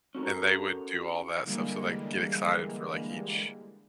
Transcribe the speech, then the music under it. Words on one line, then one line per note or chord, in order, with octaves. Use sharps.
And they would do all that stuff, so, like, get excited for, like, each
C#4 F#4 A4 A#4
D3 E3 G3 G#3 A#3